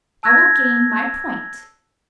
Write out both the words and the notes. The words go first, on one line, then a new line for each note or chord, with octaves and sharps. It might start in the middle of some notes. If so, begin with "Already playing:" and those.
I will gain my point.
A5 E6 F#6 G#6 A#6